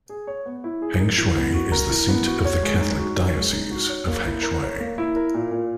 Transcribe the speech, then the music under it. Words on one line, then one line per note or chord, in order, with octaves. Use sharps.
Hengshui is the seat of the Catholic Diocese of Hengshui.
G#4
C#5
B3
E4
G#4
A#4
E3
B3
F#4
A#4
E3
B3
F#4
C#5
G#3
D#4
F#4
C#5
G#3
D#4
F#4
C#5
A#3
E4
A#4
C#5
A#3
E4
A#4
A#2
A#2